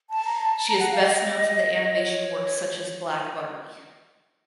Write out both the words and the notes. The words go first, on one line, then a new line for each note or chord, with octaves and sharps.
She is best known for the animation works such as "Black Barbie".
A5
A#5
A5
A5
A#5
F#5
F5
D#5
C#5